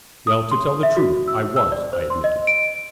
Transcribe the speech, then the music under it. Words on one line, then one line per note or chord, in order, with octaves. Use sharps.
"Well, to tell the truth, I was," I admitted.
D#6
C6
E5
F#4
E6
E6
D5
C5
C6
D#5
D7